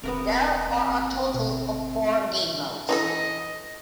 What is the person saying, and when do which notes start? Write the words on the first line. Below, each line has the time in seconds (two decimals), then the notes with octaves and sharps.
There are a total of four game modes.
0.03 E1 B3 C4 F#4 A#4
0.67 G1 C4
1.34 B2
2.89 E3 D#4 A4 D#5